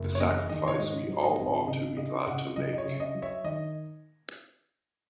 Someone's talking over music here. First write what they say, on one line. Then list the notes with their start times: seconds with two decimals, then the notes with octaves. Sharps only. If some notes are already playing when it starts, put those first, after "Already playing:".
It's a sacrifice we all ought to be glad to make.
Already playing: F#1
0.15 C#5
0.20 E2 D#5
0.49 D#3 D#5
0.68 C#5
0.79 G#2 D#5
1.08 F#3
1.23 D#5
1.39 G#1
1.67 C#3 D#5
1.97 C#3 D#5
2.27 C#3 D#5 F#5
2.56 F#3 D#5
2.73 D#5
2.78 C#5
2.85 C#3 E5
3.00 D#5
3.15 F#3
3.22 C#5 E5
3.44 D#3 D#5